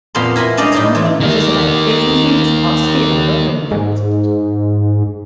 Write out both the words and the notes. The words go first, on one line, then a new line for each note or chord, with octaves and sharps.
The tonfa measures about three centimeters past the elbow when gripped.
F2 A#2 B3 F5 B5 C6
E4 A#4 G#5 B5 C6
C#4 D4 D5 D#5 F5 G5
A2 G3 D#4 G5
E3 A3 F4
D#3 A#3
G#2